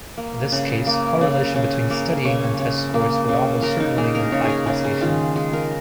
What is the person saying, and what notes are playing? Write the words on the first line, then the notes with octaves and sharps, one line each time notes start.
In this case, correlation between studying and test scores would almost certainly imply causation.
A#3
C#3
A#3
C#3
C#3
A#3
C#3 C#5
C#3
A#3
C#3
C#3 A#4
D#4
A#3 G#4
A#4
C#3 C#5
G#4
A#4
C#3 G#4
G#4
D#3 F4
G#3 G#4
A#4